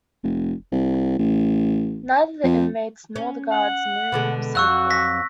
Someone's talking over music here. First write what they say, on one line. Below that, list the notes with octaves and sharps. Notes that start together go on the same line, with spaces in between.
Neither the inmates nor the guards knew who received what.
F1
C2
A1
F2
C#4
F#5
B2 D3 G#3
F2 F#3 F#4 C#6 E6 F#6
A#6 B6